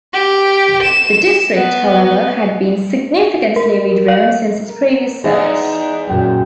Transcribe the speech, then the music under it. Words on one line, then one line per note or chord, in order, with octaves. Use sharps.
The district, however, had been significantly redrawn since his previous service.
G4
E7
B3
A#4
F5
A#4
E2 D#4 G#4
F#2 A#2 G5